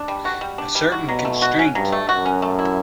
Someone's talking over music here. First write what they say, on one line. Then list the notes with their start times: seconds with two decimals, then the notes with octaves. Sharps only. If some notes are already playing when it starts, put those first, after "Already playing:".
A certain constraint.
Already playing: D4
0.08 G3
0.25 F#4
0.41 G3
0.58 D4
0.75 G3
0.92 F#4
1.09 B2 F#3
1.25 A3
1.42 F#4
1.59 C#4
1.75 G2 F#3
1.92 A3
2.09 F#2 F#4
2.25 C#4
2.42 A3
2.59 E4